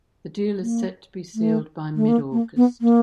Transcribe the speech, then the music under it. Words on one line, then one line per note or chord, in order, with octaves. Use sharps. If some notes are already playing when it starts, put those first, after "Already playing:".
The deal is set to be sealed by mid-August.
A#3
A3
A3
A#3
A#3
B3
A#3